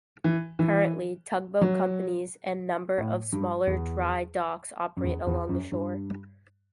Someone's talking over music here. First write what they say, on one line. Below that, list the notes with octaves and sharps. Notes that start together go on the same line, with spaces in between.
Currently, tugboat companies and number of smaller dry docks operate along the shore.
E3
E3
F#3
A2
G2
E2
F#2
E2
E2
F#2
G2